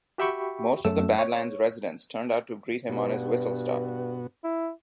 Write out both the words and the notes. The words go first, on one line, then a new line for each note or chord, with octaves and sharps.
Most of the Badlands' residents turned out to greet him on his whistle stop.
F#4 G4 E5 G5 B5 C#6
F#2 A3 E6
C#5
G2 B2 B3 F#4
E4